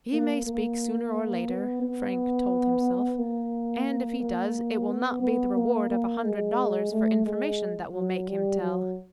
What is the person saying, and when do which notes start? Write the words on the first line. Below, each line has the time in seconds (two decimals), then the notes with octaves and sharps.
"He may speak sooner or later," Frank told himself; "and if he does, it will not be the reward of a hundred dollars for information that will make him tell."
0.13 A#3
0.46 A#3
1.49 B3
1.82 B3
3.19 A#3
4.20 A#3
4.88 B3
5.22 B3
5.56 A#3
5.90 A#3
6.24 G#3
6.92 A3
7.26 G#3
7.94 F#3
8.28 G3
8.61 F#3